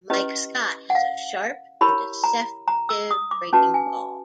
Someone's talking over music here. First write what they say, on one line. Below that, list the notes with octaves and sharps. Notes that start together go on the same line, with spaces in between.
Mike Scott has a sharp and deceptive breaking ball.
C#4 E4 G4 B4 D#5
F#5
F5
E4 G4 A#4 C#5 B5
A#5
A#5
E6
D#6
D6
C#4 F#4 B4 A5
G#5